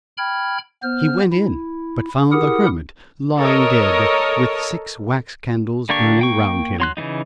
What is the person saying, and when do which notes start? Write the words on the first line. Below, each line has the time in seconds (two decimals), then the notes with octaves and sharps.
He went in; but found the hermit lying dead, with six wax candles burning around him.
0.18 G5 B5 F6 G#6
0.83 B3 C5 F6
1.33 E4
2.32 E4 G4 G#4 A#4 F#5 D#6
3.38 A4 A#4 C#5 D#5
5.89 D3 A#3 D4 G4 C#6
6.19 A#3 G5 C#6
6.80 F#3 C6 F#6
6.97 C#3 E3 G3 D#4